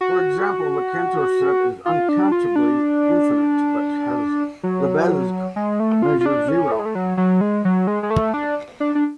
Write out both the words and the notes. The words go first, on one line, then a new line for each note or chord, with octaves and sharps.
For example, the Cantor set is uncountably infinite, but has Lebesgue measure zero.
F#4
F4
D4
F4
D4
F#3
G#3
A3
F4
F4
D4
C#4
A3
G#3
A3
F#3
F#3
G#3
F#3
G#3
G#3
A3
D4
D4
D4